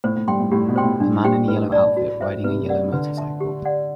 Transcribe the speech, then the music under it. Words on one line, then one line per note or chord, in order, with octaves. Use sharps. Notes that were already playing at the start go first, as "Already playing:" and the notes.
A man in a yellow outfit riding a yellow motorcycle.
A2 C5
A2
G2 G5 C6
A2
A2 G4
B2
C5 G5 C6
A2
G2 D4
G4 C5 G5 C6
A2 B4
D5 A5
F#4
C5 E5
C3 B4
D5 F#5
D3 B4
E5 A5 C6
G4
D5 F#5